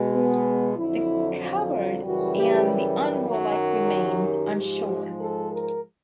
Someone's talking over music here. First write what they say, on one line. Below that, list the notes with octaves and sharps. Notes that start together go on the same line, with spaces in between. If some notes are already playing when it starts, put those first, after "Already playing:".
The coward and the unwarlike remain unshorn.
Already playing: B2 G#3
B3
F2 D3 F#3 E4
F4
F#2 C#3 E3 G3 F#4
G4
F#2 D#3 F#3
G4
G#2 F3 G#3
A4
A#4